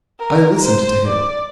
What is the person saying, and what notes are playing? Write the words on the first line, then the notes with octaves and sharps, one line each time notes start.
I listened to him.
A#4
C5
D5